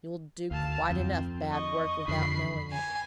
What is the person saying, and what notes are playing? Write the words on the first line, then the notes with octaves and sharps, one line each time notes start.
You'll do quite enough bad work without knowing it.
D2 F5 A5
F2 C4
D#5 C#6
F2 D3 B5 C7
G#5